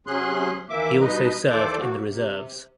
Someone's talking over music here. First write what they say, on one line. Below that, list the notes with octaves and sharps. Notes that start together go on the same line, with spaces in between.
He also served in the reserves.
C3 F#3 C#4 G#4 C6 F#6
D#2 E3 A#3 E5 D6
G2 B2 D#4 B4 D#5
D#2 E3 A4 C5 D5 D6
A#3 F#4
C3